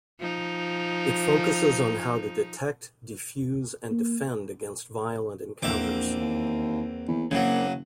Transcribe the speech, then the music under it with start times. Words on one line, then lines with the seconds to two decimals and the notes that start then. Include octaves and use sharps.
It focuses on how to Detect, De-fuse, and Defend against violent encounters.
0.19 F3 D#4
3.91 A#3
5.63 A#1 E2 A#3 C4 E5 D6
6.21 D#2
7.08 E2
7.31 F#1 C#3 F#3 A#3 C4 C#4